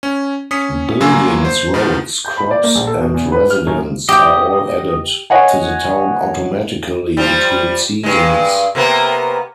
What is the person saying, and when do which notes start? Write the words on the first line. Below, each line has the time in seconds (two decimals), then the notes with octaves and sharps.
Buildings, roads, crops, and residents are all added to the town automatically between seasons.
0.03 C#4
0.51 C#4 D#6 B6 C#7
1.00 G2 F#3 A#3 F4 G#5 E6
1.45 C5
1.74 B2 D#3 F3
2.25 G6
2.37 B5
2.51 D5
2.64 A#3
2.75 A#1
2.87 A4
3.00 B2
3.14 E2
3.32 B4
3.50 F6
3.67 F#2
4.09 G4 D#5 G5
5.30 C#5 D#5 F#5 G#5
7.17 F3 G3
8.03 G2 G#3
8.75 C3 A#3 B3